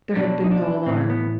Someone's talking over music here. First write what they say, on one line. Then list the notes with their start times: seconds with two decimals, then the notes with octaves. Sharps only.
There had been no alarm.
0.16 B2 D4
0.44 D#4
0.51 D4
0.86 A2 E3 C4
1.10 B3